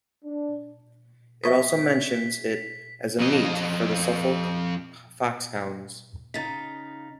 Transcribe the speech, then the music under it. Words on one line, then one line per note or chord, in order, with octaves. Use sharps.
It also mentions it as a meet for the Suffolk fox hounds.
D4
E5 C#6 D#6 B6
F2 D#5
C#3 D#4 A#5 A6 B6